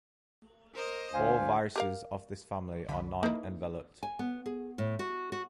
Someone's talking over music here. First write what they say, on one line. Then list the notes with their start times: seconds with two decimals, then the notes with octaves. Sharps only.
All viruses of this family are non-enveloped.
0.75 A#4 C5 D#5
1.14 D2 C5 F5 G#5
1.76 G4 A#4 F5
2.88 C2 D3 B5
3.23 A#3 D#4 E4 A4 B4
4.03 G#5
4.19 B3
4.46 G#4
4.78 A2
4.99 F#4
5.32 F#4